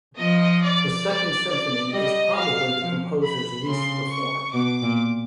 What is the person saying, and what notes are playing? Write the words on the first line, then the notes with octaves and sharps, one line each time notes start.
The Second Symphony is probably the composer's least performed.
F3 D#5
D5
D5
D5
G3 D#5
F#3 F5
F3
B5
C#3 C6
C#6
B2 D6
A#2